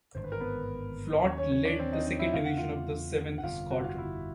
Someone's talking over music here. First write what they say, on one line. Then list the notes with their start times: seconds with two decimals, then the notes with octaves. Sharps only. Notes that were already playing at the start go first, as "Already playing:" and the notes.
Flotte lead the second Division of the Seventh Squadron.
0.15 G#1 G2 D3 C5
0.24 B4
0.32 A#4
0.40 B3 B4
1.24 D#2 D#3 F#3 C#4 C#5
1.38 C#4 C#5
1.52 C#4 C#5
1.65 D4 D5
1.79 C4 C5
1.93 D#4 D#5
2.06 D#4 D#5
2.19 E4 E5
2.34 E2 C#3 E3 A3 F5
2.45 F#5
2.57 F4 F5
3.38 F#5
3.43 G1 F2 C3 F4 F5
3.71 F#4 F#5
3.84 F4 F5
3.98 E4 E5